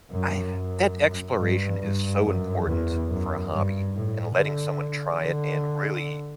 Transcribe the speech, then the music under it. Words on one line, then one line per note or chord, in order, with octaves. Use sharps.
I've that exploration is so important for a hobby and letting someone try it and really
F#2
F#2
G2
G2
F#2
E2
F#2
G2
A2
D3
D3